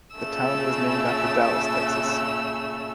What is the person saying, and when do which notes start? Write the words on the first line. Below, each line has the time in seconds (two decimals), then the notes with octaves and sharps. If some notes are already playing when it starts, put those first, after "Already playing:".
The town was named after Dallas, Texas.
0.16 A#2 C#3 A3 E6